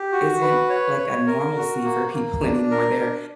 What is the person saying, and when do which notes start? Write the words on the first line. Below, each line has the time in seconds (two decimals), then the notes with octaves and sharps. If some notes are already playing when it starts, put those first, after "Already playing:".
isn't like a normalcy for people anymore. They're
Already playing: G4
0.12 F#4
0.41 B4
0.70 C#5
0.98 C#5
1.27 A#4
1.56 F#4
1.84 A#3
2.13 A#3
2.42 D4
2.71 A#4
3.00 D4